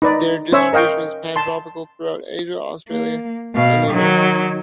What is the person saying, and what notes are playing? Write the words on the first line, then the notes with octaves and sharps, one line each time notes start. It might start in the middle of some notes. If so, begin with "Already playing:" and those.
Their distribution is pantropical, throughout Asia, Australia and the Americas.
D#4 B4 D5
C#4 C5 C#5 E5 E6
A#4 D#5 F5 G5 C#6
A5 C6
A#3
B2 F5
D#3 F#3 D#4